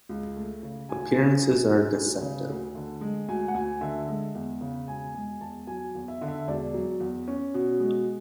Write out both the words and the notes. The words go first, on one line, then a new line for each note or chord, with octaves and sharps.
Appearances are deceptive.
C#2
A3
C#3
D2 G#5
C#3
F#3
D2
D2
C#3
D2
D3
G#3
D2 G#5
F#5
D2 G#5
D3 E5
G#3
E2
C#3
E1 G#5
G#3 G#5
E2 A5
F#3 G#5
E2
E5
D3
E5
E1 D5
F#3
E2
C#4
B2
G#3